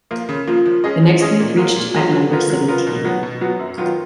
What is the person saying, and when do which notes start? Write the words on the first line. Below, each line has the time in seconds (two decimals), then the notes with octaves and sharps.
The next week reached at number seventeen.
0.11 F3 A#3 F4
0.29 C#3
0.47 F3 A#3 F4
0.66 F3
0.84 G#3 C#4 G#4 D#5
1.03 F3
1.21 G#3 C#4 G#4 D#5
1.39 A#2
1.57 F#3 A#3 F4 G#4
1.76 A#2
1.95 F#3 A#3 F4 G#4
2.12 F#3
2.30 B3 F4 A#4
2.50 F#3
2.68 B3 F4 A#4
2.87 B2
3.05 F#3 B3 F#4
3.23 B2
3.41 F#3 B3 F#4
3.59 F#2
3.78 D#3 F#3 B3 F4